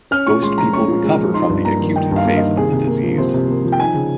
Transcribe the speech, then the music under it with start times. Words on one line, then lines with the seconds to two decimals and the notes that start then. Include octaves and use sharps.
Most people recover from the acute phase of the disease.
0.11 C#4 F6
0.27 A#2 C#6
0.43 G#3 C6
0.57 F3 A#5
0.73 C#4 C#6
0.88 A#2
1.03 G#3
1.18 F3
1.34 D#4 C6
1.50 G2
1.65 A#3 A#5
1.80 D#3
1.96 D#4 G5
2.11 G2
2.16 F5
2.26 A#3
2.37 D#3 D#5
2.57 C3 G#4
2.72 C3
2.87 A#3
3.03 F3
3.18 C3 C5
3.34 C3
3.48 A#3
3.65 F3
3.72 G5
3.80 D#4 G#5
3.94 C#3